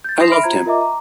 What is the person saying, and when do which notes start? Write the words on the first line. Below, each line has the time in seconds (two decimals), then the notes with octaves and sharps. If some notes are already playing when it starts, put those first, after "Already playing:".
I loved him.
0.04 G6 A6
0.20 C6 D#6 A#6 C7 E7 F7
0.31 E5 B5 F6 D7
0.44 F4 C5 A#5 G#6
0.66 F4 A#4 D#5 E5 A#5 D6
0.80 A#5 D6